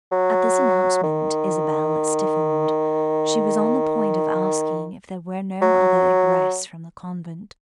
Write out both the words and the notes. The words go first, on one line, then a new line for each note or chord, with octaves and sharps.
At this announcement Isabel stiffened; she was on the point of asking if there were no other egress from the convent.
F#3
D#3
F#3